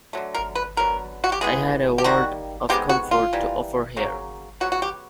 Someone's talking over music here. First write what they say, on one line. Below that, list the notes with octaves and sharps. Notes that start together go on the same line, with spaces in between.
I had a word of comfort to offer here.
D3 F#3 A3
A#4
B4
D3 F#3 B3 A#4
F#4
G4
E3 G#3 B3 G#4
G4
D#3 G3 A#3 F#4
C3 D#3 G#3 B3 G4
F#4
F4
E3 G3 A#3
C#3 F#3 A#3
C#3 F#3 B3 F#4
F#4
G4